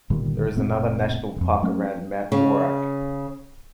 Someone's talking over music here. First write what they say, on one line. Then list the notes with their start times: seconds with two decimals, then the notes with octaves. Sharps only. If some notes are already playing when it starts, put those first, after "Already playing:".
There is another national park around Mount Worak.
0.10 G1 A#2 D#3 G3
0.55 F#1 A#2 A3 C4
1.36 E1 F2
1.62 F#3 A3 C#4
2.32 C#3